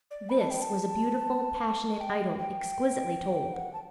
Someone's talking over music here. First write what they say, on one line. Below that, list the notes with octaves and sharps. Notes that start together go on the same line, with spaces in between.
This was a beautiful, passionate idyl exquisitely told.
D5
B5
A5
G5
A5
G5
G5
F#5
A5